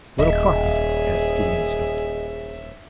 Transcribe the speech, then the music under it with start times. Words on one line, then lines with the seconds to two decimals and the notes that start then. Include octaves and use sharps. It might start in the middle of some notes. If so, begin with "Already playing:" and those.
"What o'clock is it?" asked Gideon Spilett.
0.19 D#1 G#4 D#5 E5